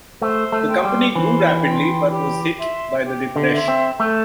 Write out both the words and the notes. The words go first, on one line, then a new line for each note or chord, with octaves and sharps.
The company grew rapidly, but was hit by the depression.
A3 C5
A3
G5 C6
G3
E3 C5
G5 C6
G4
E5 C6
G4
D3
E5 C6
C4
A3 A4